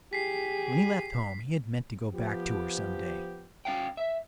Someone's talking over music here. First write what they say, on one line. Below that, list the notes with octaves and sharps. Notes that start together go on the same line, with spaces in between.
When he left home he had meant to go back to her some day.
G4 G#4 B6 C7
F3 B3 G4
C#4 F5 G5
E5